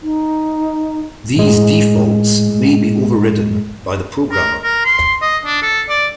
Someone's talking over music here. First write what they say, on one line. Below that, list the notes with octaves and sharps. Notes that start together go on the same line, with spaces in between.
These defaults may be overridden by the programmer.
D#4
A2 G#3
A#4
A#4
C6
D#5
D4
A4
D5